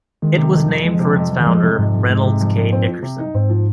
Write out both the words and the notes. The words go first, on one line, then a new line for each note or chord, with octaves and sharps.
It was named for its founder, Reynolds K. Nickerson.
D#3 G#3
C3
F2
F2
F3 G#3
C3
F2
F2
D#3
F3 G#3
C3
F2 G#2
F2
G#3
C3
F2
F2
C4
F3
C3
D#4
G#2 C4
F3